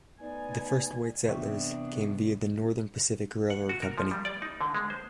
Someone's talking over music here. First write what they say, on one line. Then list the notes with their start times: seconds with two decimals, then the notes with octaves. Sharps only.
The first white settlers came via the Northern Pacific Railroad Company.
0.20 A3 B3 D#4 D5 G#5
1.28 C3 E3 B3 C4 D4 E5 G5 C#6
3.50 F#5
3.69 F#4
3.82 A#4
3.98 F3
4.11 G3
4.25 D5
4.42 D#4
4.61 D3
4.75 G#3
4.90 C5